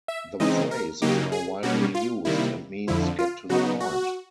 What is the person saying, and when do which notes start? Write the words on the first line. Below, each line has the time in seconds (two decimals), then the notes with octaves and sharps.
The phrase is now widely used, and means get to the point.
0.08 E5
0.40 C#3 E3 G#3 C4 D#4 D#5
0.71 A#4
1.02 C#3 F#3 A#3 D#4 G4
1.32 G#4
1.63 B2 G3 A#3 C#4 F#4
1.95 F4
2.25 C3 D#3 G3 A#3 E4
2.87 F2 D3 F3 E4
3.19 F4
3.49 C#3 F#3 B3 D#4 F#4
3.80 F#4